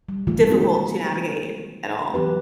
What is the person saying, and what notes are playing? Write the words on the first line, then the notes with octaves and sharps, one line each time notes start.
difficult to navigate, at all.
G3
D#3 E3 A3 F4
G#3 A#3 C4 D#4 F#4
E3 F#3 B3 G4 B4